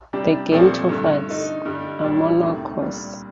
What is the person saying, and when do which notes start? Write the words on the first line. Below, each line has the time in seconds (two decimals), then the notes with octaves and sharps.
The gametophytes are monoicous.
0.13 C3 G3 D4 G4
0.52 A#2 F3 A3 C4
0.89 G2 D3 A3
1.27 D3 A3 D#4
1.65 G2 D3 G3
2.03 A#2 G3 D4 G4
2.42 D2 C3 D#3 A3
2.80 C2 A#2 G3 D4